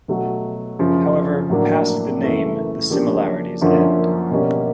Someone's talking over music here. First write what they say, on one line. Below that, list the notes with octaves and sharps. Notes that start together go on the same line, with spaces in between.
However, past the name, the similarities end.
B2 F#3 A3
F#2 C#3 F3
A2 F#3 A#3 D4
F#2 C#3 E3 A3
C#3 F3 A#3 D4 G4
F#2 D3 F3 A#3 C#4
B2 G3 A#3 C#4